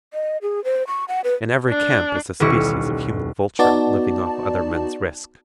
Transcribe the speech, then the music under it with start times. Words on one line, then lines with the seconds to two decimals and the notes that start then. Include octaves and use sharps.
In every camp is a species of human vulture living off other men's risk.
0.14 D#5
0.42 G#4
0.64 C5
0.87 C#6
1.08 F#5
1.24 B4
1.69 D4
2.40 D#1 B1 G3 E4 C#6
3.59 B3 D#4 F#4 D5 A5